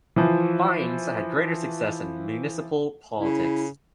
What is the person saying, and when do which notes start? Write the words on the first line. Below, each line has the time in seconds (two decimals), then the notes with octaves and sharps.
Fines had greater success in municipal politics.
0.16 E3 F3 C5
3.16 C#3 E4